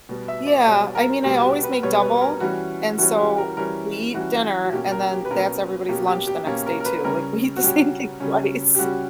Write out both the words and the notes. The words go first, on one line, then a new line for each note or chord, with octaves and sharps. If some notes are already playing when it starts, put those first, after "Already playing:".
Yeah, I mean, I always make double, and, so, we eat dinner and, then, that's everybody's lunch the next day, too, like, we eat the same thing twice.
B2 G3 B3
E5
D5
B2 G3 B3 C#5
A#4
B2 G3 B3 G4
F#4
G4
B4
B2 G3 B3 C#5
B4
A#4
E3 G3 C#4 F#4
E3 G3 C#4 F#4
G4
A#4
E3 G3 C#4 A#4
E3 G3 C#4 F#4
F#4
B2 A#3 C#4 G4
A#4
G4
B4
B2 A#3 C#4 A#4
B2 A#3 C#4 G4
G4
G4
B2 A#3 C#4 G4
A#4
A#4
B4
C#3 G3 C#4 A#4
F#4
C#3 G3 C#4 G4
C#3 G3 C#4
G4
C#3 G3 C#4 F#4